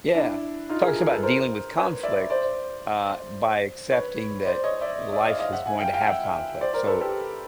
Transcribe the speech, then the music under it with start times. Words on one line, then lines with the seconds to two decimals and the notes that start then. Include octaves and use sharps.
Yeah, talks about dealing with conflict, uh, by accepting that life is going to have conflict. So,
0.15 D4 E4
0.69 D#4 F4
0.82 G#4 A#4
0.96 G#4 A#4
1.09 A4 B4
1.23 A#4 C5
1.77 B4 C#5
2.03 D5 E5
2.30 C5 D5
3.91 B4 C#5
4.45 C5 D5
4.64 C#5 D#5
4.81 D5 E5
5.13 D5 E5
5.26 D#5 F5
5.39 D#5 F5
5.53 E5 F#5
5.66 F#5 G#5
5.80 F5 G5
5.93 F5 G5
6.06 E5 F#5
6.61 C5 D5
6.73 A#4 C5
6.87 A4 B4
7.01 G4 A4